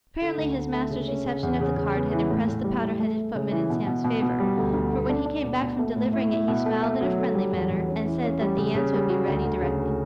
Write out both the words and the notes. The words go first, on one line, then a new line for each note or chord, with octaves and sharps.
Apparently his master's reception of the card had impressed the powdered-headed footman in Sam's favour, for when he came back from delivering it, he smiled in a friendly manner, and said that the answer would be ready directly.
D3
D2
D3
A3
C#3
C#4
C#3
E2
C#3
C#3
B3
E3
A2
A2
G3
A2
A3
A3
C#3
E3
B2
B2
B2
B2
G3
D2
D2
D3
D4
D4
B2
B2
A3
A2
E4
E4
B2
A3
A3
F#3
D3
G3
E2
E2
C#4
E3
C#4
G3
C#3
C#3
G3
F#4
D2
D2
C#3
D2